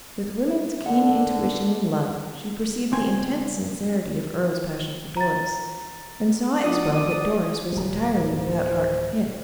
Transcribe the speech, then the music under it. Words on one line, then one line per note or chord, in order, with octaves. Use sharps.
With woman's keen intuition in love, she perceived the intense sincerity of Earle's passion for Doris, and saw as well that Doris was entirely without heart for him.
D3 F#5
C#2 C4 G#5
A#5 A6
F3 D#4 F#4 D5 D#6
D1 G3
C5